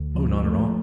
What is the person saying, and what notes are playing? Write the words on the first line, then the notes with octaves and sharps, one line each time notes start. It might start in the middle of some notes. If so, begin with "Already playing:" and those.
'O--not at all.
Already playing: D2
F3
A3